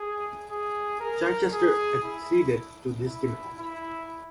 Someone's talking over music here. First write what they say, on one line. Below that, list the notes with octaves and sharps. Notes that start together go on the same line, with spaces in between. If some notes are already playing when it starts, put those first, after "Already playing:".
Chichester acceded to this demand.
Already playing: G#4
G#4
A#4
G#4
E4
E4
E4